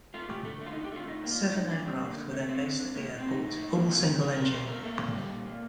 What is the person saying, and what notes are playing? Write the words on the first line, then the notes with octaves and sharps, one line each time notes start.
Seven aircraft were then based at the airport, all single-engine.
A3 F4
A3 G4
D3 A4
A3
F4
D3 D#4
G4
A3 F4
A2 D#4
A#3
F4
A2
A2 D#4
A2 D4
G3 C4
D3 A#3
D3
A3
A3 C4
D3
D3
A2 A#3
A2
C4
A2 D#4
A2
A2
A#3
C3 F4
C3
C3 A#4
C3 A#4
A3 C5
A3 A#4
A#3 A4
A#2
G3
A#2
A#3